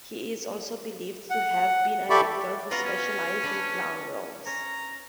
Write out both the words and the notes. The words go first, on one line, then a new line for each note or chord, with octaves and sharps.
He is also believed to have been an actor who specialized in clown roles.
F#5
G4 A4 D5 E5 B5 C#6
B3 F4 F#4 A#5
C#4
D4 B4
C#4 A#5